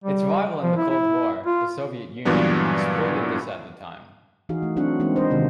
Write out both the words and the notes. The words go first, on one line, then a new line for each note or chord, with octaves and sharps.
Its rival in the Cold War, the Soviet Union, exploited this at the time.
G3
F3
E4
E4
F4
G2 A#2 E3 F#3 B3 D4
E3 D#4 F#4 G#4 F5
A3
F#3 C4 D4 F#4 F#5
E3 G#3 A#3 C4 C#4 D#4
D4 F#4 B4 C5 D#5
C3 D#3 G#3 A#3